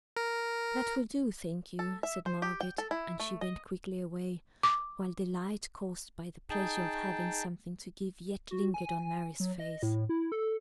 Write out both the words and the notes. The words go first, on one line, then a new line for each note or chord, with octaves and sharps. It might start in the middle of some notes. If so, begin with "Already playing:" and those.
'That will do, thank you,' said Margaret; and she went quickly away, while the light caused by the pleasure of having something to give yet lingered on Mary's face.
A#4
A4
E5
C5
G4
G5
A4
E4
A3
D#5
D6
D#4 G#4 G5 A5
F#4
G#5
F#3
D#5
A2
E4
A4